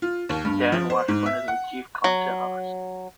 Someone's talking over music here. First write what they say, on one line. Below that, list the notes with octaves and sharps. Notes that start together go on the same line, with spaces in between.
Dan Washburn is the Chief Content Officer.
F4
D#2
G2
F3
C5
G#2
E5
F#5
F#3